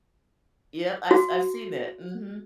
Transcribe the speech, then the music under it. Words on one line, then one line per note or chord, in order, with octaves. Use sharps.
Yep, I've I've seen that, mhm.
F#4